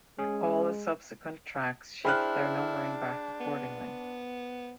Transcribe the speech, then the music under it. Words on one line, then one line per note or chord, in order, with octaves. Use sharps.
All the subsequent tracks shift their numbering back accordingly.
G#3 C#4 G#4
D4 E4 G#4 C5 G5 B5 F6 F#6
B3